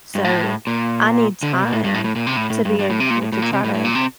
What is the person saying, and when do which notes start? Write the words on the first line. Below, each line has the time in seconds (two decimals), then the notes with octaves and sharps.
so I need time to be able to try to
0.15 G2
0.25 A2
0.67 A#2
1.43 D3
1.53 C3
1.63 A#2
1.73 A2
1.84 G2
1.94 A2
2.04 A2
2.16 A#2
2.27 C3
2.36 A2
2.50 A2
2.65 G2
2.79 G2
2.90 A2
3.00 C3
3.10 A#2
3.22 A2
3.32 A2
3.42 A#2
3.53 C3
3.64 A2
3.75 A2
3.85 A#2
3.95 C3